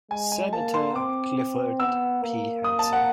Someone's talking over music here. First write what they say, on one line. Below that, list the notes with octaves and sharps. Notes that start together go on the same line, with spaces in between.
Senator Clifford P. Hansen.
G#3 G#5
G#5
A#3 A5
C6
C4 D6
C4
B3 E6
A#3
D#6
A5
F#5